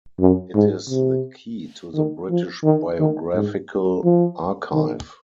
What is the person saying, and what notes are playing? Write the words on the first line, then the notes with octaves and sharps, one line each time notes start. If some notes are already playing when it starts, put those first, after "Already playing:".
It is the key to the British Biographical Archive.
F#2
G#2
C3
D#3
F3
D#3
D#3
G#2
F3
D#3